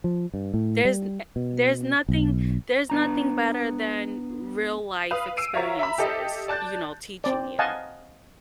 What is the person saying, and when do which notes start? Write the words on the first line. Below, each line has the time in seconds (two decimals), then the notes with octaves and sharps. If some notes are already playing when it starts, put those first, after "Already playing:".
There's e eh there's nothing there's nothing better than real life experiences, you know, teaching you.
0.04 F3
0.34 G2
0.54 A2
0.85 G3
1.36 B2
2.09 B1
2.90 B3 D4 A#5
5.11 B4 F5 D#6
5.37 E6 C7 D7 D#7
5.54 F#4 A#4 C#5 E5 F5
5.79 E5 A#5 B5
5.98 G4 A4 D#5 E5
6.48 D5 A5 F#6 G6 A6
7.24 C4 D5
7.59 D#5 F5 F#5 G#5 A5